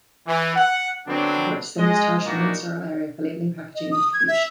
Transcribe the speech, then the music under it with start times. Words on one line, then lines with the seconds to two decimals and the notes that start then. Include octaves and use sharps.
The product is then discharged to a non-sterile area for labeling, packaging and distribution.
0.26 E3
0.56 F#5
1.07 D3 F#3 B3 C4 D4
1.78 G#3 D#5
2.26 A#2 E3 A#3 D4 D#4 F#4
3.75 D#5
3.91 D#6
4.13 G#6
4.28 E5